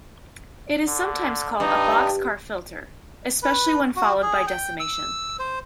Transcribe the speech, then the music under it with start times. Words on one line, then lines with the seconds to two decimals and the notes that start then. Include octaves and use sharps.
It is sometimes called a boxcar filter, especially when followed by decimation.
0.87 D3
1.60 G2 D#4
3.43 B4
3.96 F#4
4.22 G#4
4.47 G5
4.80 E6
5.39 C5